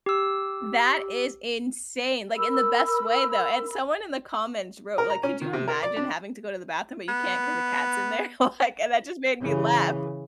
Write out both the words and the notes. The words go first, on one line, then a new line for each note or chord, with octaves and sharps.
That is insane, like, in the best way, though and someone in the comments wrote, like, "Could you imagine having to go to the bathroom, but you can't 'cause the cat's in there?" Like and that just made me laugh.
G4 E6
A#4 B5 E6
A#4
A#5
C#4
D#3
C3
A#4
D5
D4
B3
C#3 E3